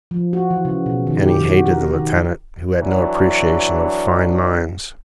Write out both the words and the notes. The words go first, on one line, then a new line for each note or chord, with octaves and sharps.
And he hated the lieutenant, who had no appreciation of fine minds.
F3
F#4
E3
C#3
B2
D#3
G4
D#3
F#4
A#4
D#3
E3 F#3 D4